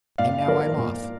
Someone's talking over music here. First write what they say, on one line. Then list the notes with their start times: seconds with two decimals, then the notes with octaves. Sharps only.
And now, I'm off.
0.18 A#2 D5 F5
0.48 F3 A#4 D5
0.77 A#2